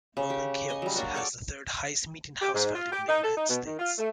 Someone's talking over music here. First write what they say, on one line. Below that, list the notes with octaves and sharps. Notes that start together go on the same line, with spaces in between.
Rolling Hills has the third highest median house value in the United States.
C#3
G4
D#5 G#5
F#3 G3
A#3 D4 F#4
G#4 A4 C#5 D5
G4
G#2
F4
G4
D#4
A4
D#4
B2
D#3
F4
A3